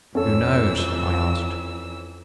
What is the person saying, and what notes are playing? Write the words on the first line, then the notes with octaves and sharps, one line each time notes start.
"Who knows?" I asked.
F2 E3 C#4 A4 E6